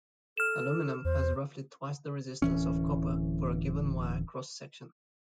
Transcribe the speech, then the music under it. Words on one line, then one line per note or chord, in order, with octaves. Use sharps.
Aluminum has roughly twice the resistance of copper for a given wire cross-section.
A4 F6 E7
E2 C5
D1 E3 C#4